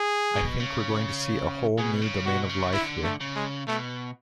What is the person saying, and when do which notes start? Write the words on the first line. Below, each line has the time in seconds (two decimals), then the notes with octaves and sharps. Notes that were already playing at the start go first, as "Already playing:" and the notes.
I think we're going to see a whole new domain of life here.
Already playing: G#4
0.36 B2
0.60 C#3
1.78 B2 G#4
2.02 C#3
2.25 B2 F#4
2.49 C#3
2.73 D3 E4
3.04 A3
3.20 C#3
3.36 G#3
3.67 B2 A3